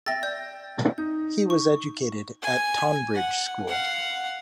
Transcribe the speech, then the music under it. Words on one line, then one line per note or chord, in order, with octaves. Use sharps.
He was educated at Tonbridge School.
E5 G5 E6 A6 A#6
D5 G6
D#4 G6
C#6
G#5
F#5
F5 F#5